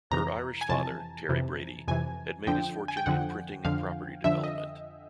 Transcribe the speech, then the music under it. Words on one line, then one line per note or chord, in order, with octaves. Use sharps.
Her Irish father, Terry Brady, had made his fortune in printing and property development.
F2 C3 E3 A#5
G#5
F2 C3 E3 A5
F2 C3 E3
F2 C3 E3 G#5
F2 D3 F3 G5
G#5
G5
F2 D3 F3 F#5
F2 D3 F3 F5
F2 D3 F3 E5
D#5